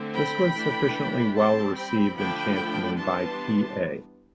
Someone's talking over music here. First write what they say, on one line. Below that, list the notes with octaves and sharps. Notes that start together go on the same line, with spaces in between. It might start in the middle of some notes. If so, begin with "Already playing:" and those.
This was sufficiently well-received, and championed by P. A.
Already playing: D3 A3 C4
G5 B5
E3 A3 D4
G3 C4 A5 C6
G5 B5
D3 F3 A3 D4 G5 B5
E3 G3 B3 D4 A5 C6